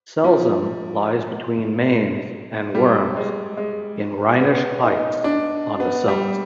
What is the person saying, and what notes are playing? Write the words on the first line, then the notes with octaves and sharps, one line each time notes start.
Selzen lies between Mainz and Worms in Rhenish Hesse on the Selz.
F3
G3
G#3
G#3
B3
D#4
D4
B3
G3